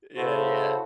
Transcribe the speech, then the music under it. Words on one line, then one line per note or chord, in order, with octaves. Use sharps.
yeah, yeah,
C#3 E4 F#4 A4 C5